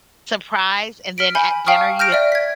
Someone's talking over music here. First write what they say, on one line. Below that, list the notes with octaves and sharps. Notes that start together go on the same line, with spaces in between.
"Surprise," and then at dinner, you
F6 B6 D7
G#5 B5 G6
F5 G5 A5 C#6 D#6 F6
F6 G6 A#6 D7
D5 E5
G#6 B6